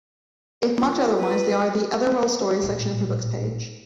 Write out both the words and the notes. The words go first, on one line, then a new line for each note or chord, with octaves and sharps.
If marked otherwise, they are in the "Otherworld Stories" section of her "Books" page.
F4
B4
A1 A#2